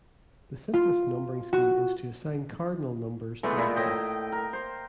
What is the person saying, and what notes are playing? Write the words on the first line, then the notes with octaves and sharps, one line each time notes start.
The simplest numbering scheme is to assign cardinal numbers to entities.
F4
F#4
E3 G#3 A3 B3
A#2 E4
A2 D#5 G5
A#4
C5